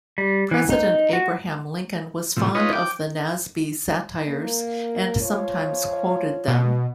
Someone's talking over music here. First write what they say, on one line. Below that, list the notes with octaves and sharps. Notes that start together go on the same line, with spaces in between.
President Abraham Lincoln was fond of the Nasby satires and sometimes quoted them.
G3
E3
D#4
F#4
A2 C3 F3
D#4 F4 B4 C#5 D#5
G5 D6
A#3
F3 F4 C#5
B2